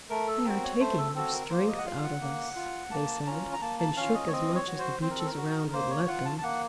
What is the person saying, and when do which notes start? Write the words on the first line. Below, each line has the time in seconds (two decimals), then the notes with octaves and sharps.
"They are taking our strength out of us," they said, and shook as much as the Beeches around would let them.
0.10 A3 A#4
0.27 A4
0.45 C4 F#4 A#4
0.63 C#5
0.80 A3 C5
0.98 A4
1.15 C4 F#4 A4
1.33 A#4
1.50 A#3 C5
1.68 D#5
1.78 F#5
1.86 F4 F5
2.03 F#5
2.21 A#3
2.56 F4
2.91 A#3 A5
3.26 C#4 F4 A#5
3.53 A#5
3.62 A#3 A5
3.80 A5
3.97 C#4 F4 F5
4.14 D#5
4.27 C#5
4.32 C4 D#5
4.55 C#5
4.68 F#4
4.79 C5
5.02 C4 C5
5.10 A#4
5.19 A4
5.26 A#4
5.37 F#4
5.73 A#3 C5
5.90 C#5
6.08 F4 F#5
6.25 A5
6.38 A5
6.43 A#3 F#5